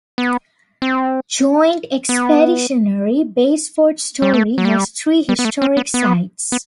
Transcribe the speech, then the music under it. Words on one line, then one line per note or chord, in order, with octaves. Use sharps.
Joint Expeditionary Base Fort Story has three historic sites.
B3
C4
B3
G3
A3
F#3
G3
G3
B3
A3
C4
B3
B3
B3